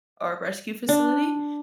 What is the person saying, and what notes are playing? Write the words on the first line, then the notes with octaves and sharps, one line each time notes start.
our rescue facility,
D4